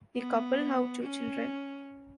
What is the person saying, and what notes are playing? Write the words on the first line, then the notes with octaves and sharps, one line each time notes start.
The couple have two children.
B3
C#4